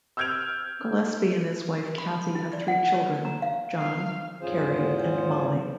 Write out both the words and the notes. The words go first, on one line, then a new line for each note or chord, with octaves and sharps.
Gillespie and his wife Cathy have three children, John, Carrie, and Mollie.
E6 F6 G6 G#6 D7 F7
B5
E4
D5
F#5
C#5
A#5
F5
F5
E2 G#2 C#4 F4 G#4 C5